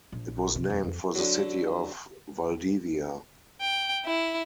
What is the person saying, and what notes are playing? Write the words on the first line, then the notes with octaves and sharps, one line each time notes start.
It was named for the city of Valdivia.
A#1
C3
F2
F2
D3 F#3
G5
E4